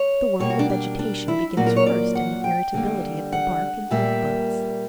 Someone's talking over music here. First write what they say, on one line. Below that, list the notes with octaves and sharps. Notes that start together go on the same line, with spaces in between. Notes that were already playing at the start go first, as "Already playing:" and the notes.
The work of vegetation begins first in the irritability of the bark and leaf-buds.
Already playing: C#5
B2 G3 A#3 C#5
F#4
D4
D4
D4
E4
A#2 F#3 A#3 F#4
A#4
C#5
D5
F#5
G5
D3 G3 A#3
F#5
A#2 G3 A#3 E5